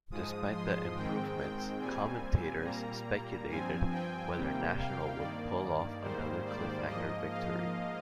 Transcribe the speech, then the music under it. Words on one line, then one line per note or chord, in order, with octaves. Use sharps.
Despite the improvements, commentators speculated whether National would pull off another cliffhanger victory.
G#2 F3 G#3 D#6
C6
G#2 D#3 G#3 C4 G5
G5
A#2 G3 C4 G#5
A#2 G3 A#3 A#5
G2 F3 C4 G#5
G5
C3 G3 A#3
F5
G2 D#3 A#3 D5
G#2 D#3 G3 A#3 C5
D5
G#2 F3 A#3 D#5
F5